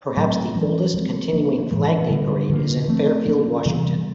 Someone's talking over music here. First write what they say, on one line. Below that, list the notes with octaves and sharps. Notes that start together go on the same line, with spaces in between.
Perhaps the oldest continuing Flag Day parade is in Fairfield, Washington.
A2 F#3 A3 C4
E3 G#3 C#4
F3 G#3 C4
F3 A#3 D4
A2 E3 G#3
D3 G3 B3
D3 F3 A#3
F3 A3 C4
F3 A#3 C#4
C3 E3 G3 B3